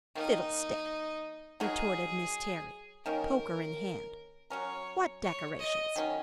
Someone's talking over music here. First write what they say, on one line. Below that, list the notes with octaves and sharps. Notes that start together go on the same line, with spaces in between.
Fiddlestick!" retorted Miss Terry, poker in hand. "What decorations?
D#3 A#3 C#4 D#4 A#4
F#3 D#4 F#4 G#4 A#4
D#3 A#3 C#4 A#4
F#3 C#4 A#4 C#5
C#5
D#5
D#3 F#3 C#4